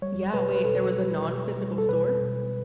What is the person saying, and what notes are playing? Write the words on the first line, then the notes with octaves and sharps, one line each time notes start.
Yeah, wait, there was a nonphysical store?
G3 C#5
B2 B4
B4
B2 A4
G3
B2
G3
A4
B2 B4
B2